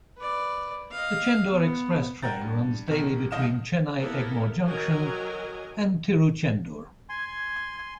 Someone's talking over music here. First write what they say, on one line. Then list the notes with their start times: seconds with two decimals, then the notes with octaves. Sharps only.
The Chendur Express train runs daily between Chennai Egmore Junction and Tiruchendur.
0.18 B4 D5
0.91 D#5 F5
1.49 B3
2.23 A#4 F#5 G5 A#5 G6 A6
2.41 G2
2.88 B1 D#3 A#4
3.31 D#1 C2 D#5 F5 F6 E7
3.99 A#3 B3 E4 A4 A#4
4.67 D#3 F#3 A#4 D#5 G#5
7.09 G#5 C6 G#6